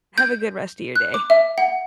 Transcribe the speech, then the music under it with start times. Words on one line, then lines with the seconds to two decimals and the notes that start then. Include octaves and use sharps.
Have a good rest of your day.
0.18 G6
0.96 F#6
1.14 D6
1.30 E5
1.58 F#5